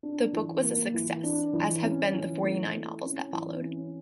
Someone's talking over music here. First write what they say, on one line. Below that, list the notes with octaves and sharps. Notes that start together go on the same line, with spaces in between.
The book was a success, as have been the forty-nine novels that followed.
D4
E3
A#3
E3
D4
E3
C#4
E3
A3
E4
C#4
E3
C#4